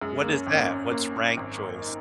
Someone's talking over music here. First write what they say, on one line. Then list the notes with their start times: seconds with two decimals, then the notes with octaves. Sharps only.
What is that? What's "rank choice"?
0.01 F#2 G#3
0.21 A#3
0.31 C#4
0.47 G#1
0.52 A#3
0.61 C#4
0.92 A#3
1.37 G#1
1.82 D#4